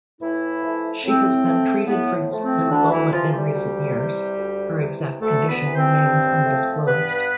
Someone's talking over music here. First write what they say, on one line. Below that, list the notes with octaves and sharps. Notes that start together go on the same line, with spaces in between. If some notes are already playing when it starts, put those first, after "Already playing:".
She has been treated for lymphoma in recent years; her exact condition remains undisclosed.
A2 E3 E4
F3 A3
A2 C4
F3 A3
A2 B3
F3 A3
C4
D2 D3 D4
E3 E4
C3 E3 F3 F4
G3 G4
D2
C3 E3
D2
C3 E3
D2 A3 A4
B3 B4
C3 E3
C4 C5
G2
F3 A3
G2 B3 B4